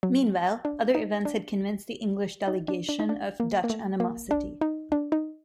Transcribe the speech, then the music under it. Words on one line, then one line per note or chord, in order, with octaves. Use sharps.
Meanwhile, other events had convinced the English delegation of Dutch animosity.
F#3
D4
D#4
D4
D#4
D4
D4
D#4
D4
A#3
A#3
A3
A#3
D4
D#4
D4
D#4